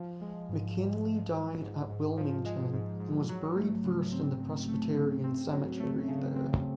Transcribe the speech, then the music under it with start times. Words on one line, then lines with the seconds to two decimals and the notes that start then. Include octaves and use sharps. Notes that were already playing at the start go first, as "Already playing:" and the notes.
McKinly died at Wilmington and was buried first in the Presbyterian Cemetery there.
Already playing: F3
0.21 G#3
0.49 G#2
0.77 G#2
1.06 F3
1.33 G#3
1.61 G#2
1.90 G#2
2.17 F3
2.45 G#3
2.73 G#2
3.00 G#2
3.29 F#3
3.56 A3
3.84 C#3
4.12 C4
4.40 F#3
4.68 A3
4.96 C#3
5.24 C4
5.52 F#3
5.80 A3
6.08 C#3
6.35 C4